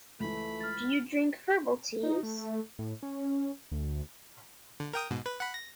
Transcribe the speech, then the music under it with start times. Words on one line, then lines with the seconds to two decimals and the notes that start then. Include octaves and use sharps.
Do you drink herbal teas?
0.20 C#2 E3 A3 B5
0.61 F6 A6
2.03 D#4
2.23 A3
2.79 A2
3.03 C#4
3.71 D2
4.80 D3
4.93 A#4 G5 D#6
5.11 G#2 B2
5.26 B4
5.40 F#5 B5
5.54 A#6